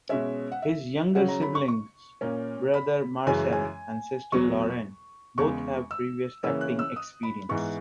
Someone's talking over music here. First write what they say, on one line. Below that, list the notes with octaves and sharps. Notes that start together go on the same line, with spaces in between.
His younger siblings, brother Marcel and sister Lauren, both have previous acting experience.
B2 G#3 C#4 E5
F#5
E5
C#3 F#3 C#4 F#5
A#5
B5
C#6
C#6
A#2 A#3 C#4
B5
F#2 C#3 E3 G#3 C#4 G#5
G#5
E2 B2 F#3 C#6
E2 C#3 G#3 C#6
E6
C#3 E3 A#3 C#4 E6
F#6
E6
D#6
B5
G#2 E3 B3 C#6